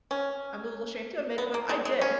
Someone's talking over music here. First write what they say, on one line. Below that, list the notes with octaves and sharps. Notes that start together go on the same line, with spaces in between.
I’m a little ashamed to admit, but I did.
C#4
B3
A#3
G#3
G#3
C#4